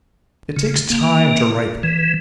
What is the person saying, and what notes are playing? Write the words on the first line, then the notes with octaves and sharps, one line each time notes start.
It takes time to ripen.
C#3
A#3
E3